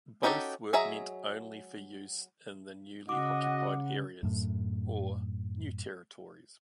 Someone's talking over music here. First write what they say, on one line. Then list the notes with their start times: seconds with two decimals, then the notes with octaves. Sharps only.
Both were meant only for use in the newly occupied areas, or "New Territories".
0.23 C#4 D#4 F#4 G4 A4
0.73 F#3 G#4 D#5 E5 A#5
3.09 C#3 F#4 D#5 F#5 D6
4.23 F#2 A2